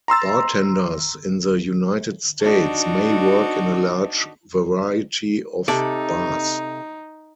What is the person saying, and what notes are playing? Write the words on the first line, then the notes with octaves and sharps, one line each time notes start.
Bartenders in the United States may work in a large variety of bars.
A#5 C6 E6 A6
D4 D#4 F#4
C3 D#4 A4 D5